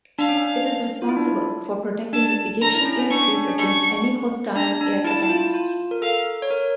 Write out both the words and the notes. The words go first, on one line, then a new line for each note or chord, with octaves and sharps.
It is responsible for protecting the Egyptian airspace against any hostile air attacks.
D4 F5
C#4
D4
F4
E4
D4
D4 A5
D4 A#5
E4
C#4
C#4
D4 C#6
C#4
D4
C#4
D4 C#6
D4 A#5
D4
E4 A5
E4
F4
F4
A#4
A4 F5
C#5
A#4